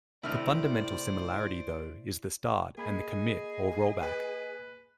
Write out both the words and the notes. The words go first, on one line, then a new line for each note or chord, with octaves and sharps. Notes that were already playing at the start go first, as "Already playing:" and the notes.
The fundamental similarity though is the start and the commit or rollback.
A2 C3 D#3 E4 C5 D5 F6
A#3 G#4 D#5 B5 G#6
B4